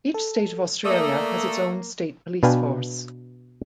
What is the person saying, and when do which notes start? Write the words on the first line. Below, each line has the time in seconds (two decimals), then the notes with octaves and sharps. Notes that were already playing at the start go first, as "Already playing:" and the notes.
Each state of Australia has its own state police force.
0.14 A4
0.85 A3 A#3 D5 D#6 E6
2.43 B2 D4 B4 F5 G5 G#5